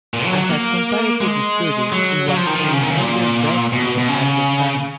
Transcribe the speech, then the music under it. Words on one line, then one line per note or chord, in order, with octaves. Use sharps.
As a comparative study it was a major breakthrough at the time.
A#2
F#3
F#3
A#3
G#3
F#3
F#3
F3
D#3
F3
D#3
C#3
D#3
C#3
A#2
B2
B2
C#3